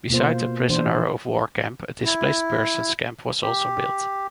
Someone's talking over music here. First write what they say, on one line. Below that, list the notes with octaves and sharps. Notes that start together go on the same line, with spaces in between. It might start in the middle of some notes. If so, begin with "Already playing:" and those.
Besides the prisoner of war camp, a Displaced persons camp was also built.
B2 A#3 F4 C5
E3 D4 C5
E4
G4